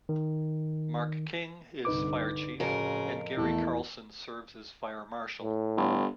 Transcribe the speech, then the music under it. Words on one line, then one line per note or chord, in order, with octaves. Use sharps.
Mark King is Fire Chief and Gary Carlson serves as Fire Marshal.
D#3
C2 G2 D3 D#4 B4 D6
F2 A2 C#3 F#4 A#4
E2 A#2 A3 B3 E4
A2
G1